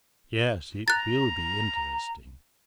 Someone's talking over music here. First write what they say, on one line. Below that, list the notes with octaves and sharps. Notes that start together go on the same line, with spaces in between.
"Yes, it will be interesting."
A#5 F#6 A6